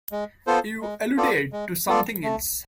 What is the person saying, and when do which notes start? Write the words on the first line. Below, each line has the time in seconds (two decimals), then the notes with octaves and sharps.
You alluded to something else.
0.12 G#3
0.47 B3 F4 A4 C5
0.82 G#3
1.17 B3 F4 A4 D5
1.53 G#3
1.88 B3 F4 A4 D5
2.24 A3